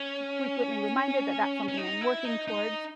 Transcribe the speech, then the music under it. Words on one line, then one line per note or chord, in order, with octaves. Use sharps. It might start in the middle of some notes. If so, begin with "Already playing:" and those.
frequently reminded that that's something I'm working towards,
Already playing: C#4
C#4
D#4
E4
D#4
D#4